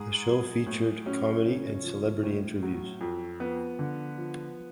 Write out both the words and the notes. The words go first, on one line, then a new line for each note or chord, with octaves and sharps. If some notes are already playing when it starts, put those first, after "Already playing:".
The show featured comedy and celebrity interviews.
Already playing: G#2 G#4
F#3
A2
F#3 C#4
C#3
F3
A2
F#3
F2
F3 B3
D3
F3